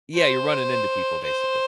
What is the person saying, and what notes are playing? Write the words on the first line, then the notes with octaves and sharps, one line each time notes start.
Yeah, you're running into people, basically.
C5
C5